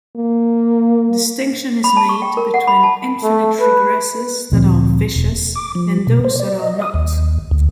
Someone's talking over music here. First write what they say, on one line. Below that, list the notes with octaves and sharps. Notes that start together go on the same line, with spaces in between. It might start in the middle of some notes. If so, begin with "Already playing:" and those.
Distinction is made between infinite regresses that are "vicious" and those that are not.
A#3
B5
A5
C#6
G5
A#4
F#5
B5
A5
A3
B4
D2 A#2 F3 C4
E1
D6
F3
B2
C5
D5
D#5
D#6
D#2
D2